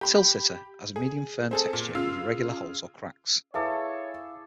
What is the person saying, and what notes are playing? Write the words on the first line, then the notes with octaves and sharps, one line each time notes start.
Tilsiter has a medium-firm texture with irregular holes or cracks.
G4 B5
G#4
C4 G#4 A4
A#2
C#3 F4 E6 C7
E4 G#4 A4 B4 C#5 E5 F5 D6